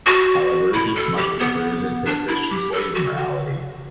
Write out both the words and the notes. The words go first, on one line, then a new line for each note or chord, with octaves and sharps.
However, he much prefers it to the Christian slave-morality.
F#4
E4
A4
G4
B3
D4
E4
G4
A4
F#4
F#4